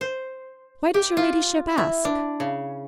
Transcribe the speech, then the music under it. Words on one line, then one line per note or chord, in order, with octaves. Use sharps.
"Why does your ladyship ask?"
C5
G4
F4
E4
D4
C#3